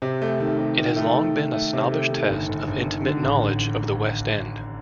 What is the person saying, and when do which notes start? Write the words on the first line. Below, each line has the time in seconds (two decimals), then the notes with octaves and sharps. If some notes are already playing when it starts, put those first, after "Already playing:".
It has long been a snobbish test of intimate knowledge of the West End.
0.02 C3
0.22 A3
0.40 D#3
0.59 C3
0.78 D#3
0.96 A3
1.15 D#3
1.35 D#3
1.53 A3
1.73 C3
1.91 A3
2.10 D#3
2.30 G1
2.49 G1
2.67 G1
2.86 D#3
3.05 D3
3.23 A1